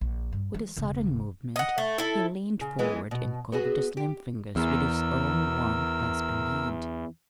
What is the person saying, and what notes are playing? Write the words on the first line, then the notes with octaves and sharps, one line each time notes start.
With a sudden movement he leaned forward and covered the slim fingers with his own warm-clasping hand.
A#1
G2
E3 G#3
E1 C#3
D#5 F#5
A3
E4 A4
C#3
E3 G#3 B3
B2
B3 F#4 G#4
G4
E2 A#4 E6